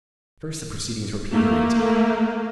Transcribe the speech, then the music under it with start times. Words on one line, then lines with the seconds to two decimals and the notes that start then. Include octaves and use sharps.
At first the proceedings were pure Greek to me.
1.32 A3 A#3